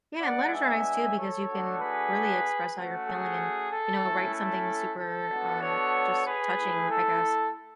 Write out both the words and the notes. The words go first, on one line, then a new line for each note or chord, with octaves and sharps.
Yeah, and letters are nice too because you can really express how you're feeling and, you know, write something super, uh, just touching, I guess,
G#3 B3 D4 D5 F#5
E5 G#5
A4 C#5
A3 D4 F#4
G#4 B4
A3 C#4 F#4
G#4
A4
A3 C#4 E4
A4
A4
B3 D4 F#4
A4 C#5
G#4 B4
A3 E4
A4